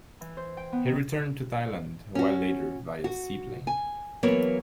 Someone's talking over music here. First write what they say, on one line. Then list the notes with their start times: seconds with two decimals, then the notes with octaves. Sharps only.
He returned to Thailand a while later via seaplane.
0.21 E3
0.37 C5
0.57 G5
0.73 B3
0.86 D#3
2.15 C#4 F#4
3.04 F#4
3.67 G#5
4.23 E3 F#3 A#3 B3 A#4 C#5